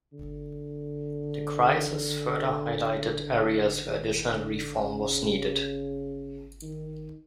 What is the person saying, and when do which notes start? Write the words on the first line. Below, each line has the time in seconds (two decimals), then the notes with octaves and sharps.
The crisis further highlighted areas where additional reform was needed.
0.13 D3
3.85 D#3
4.30 D3
4.77 C#3
6.63 D#3